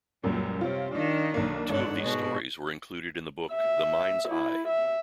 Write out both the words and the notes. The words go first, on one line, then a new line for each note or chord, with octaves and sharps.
Two of these stories were included in the book The Mind's I.
C#2 F#2 A#2 F#3 G3
C3 F4 C#5
D#3 D4 D#4
B1 A#3 D4
G1 G#2 A4 C#5 F#5
B2 G#3 F#4
E5
E4
E5